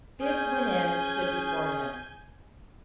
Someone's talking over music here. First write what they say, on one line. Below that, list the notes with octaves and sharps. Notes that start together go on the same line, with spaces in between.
Bibbs went in and stood before him.
C#4 G#4 G#5 G6